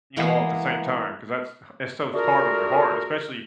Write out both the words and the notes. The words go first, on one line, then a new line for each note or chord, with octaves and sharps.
you know, all at the same time 'cause that's, it's so hard on your heart, especially,
E3 G#3 A#3 B3
A3 D4 F4 F#4 G#4 A#4